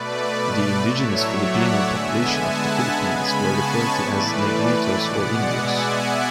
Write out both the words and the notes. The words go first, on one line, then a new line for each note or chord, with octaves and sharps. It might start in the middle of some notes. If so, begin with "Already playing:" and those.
The indigenous Filipino population of the Philippines were referred to as Negritos or Indios.
Already playing: B2 A3 B4 D5
A2 F#3 A3 C#5 E5
D5 F#5
D3 G#3 B3 E5 G#5
F#5 A5
C#3 G#3 B3 G#5 B5
A5 C#6
A2 E3 A3 B4 D5
B2 G#3 B3 D5 F#5
E5 G#5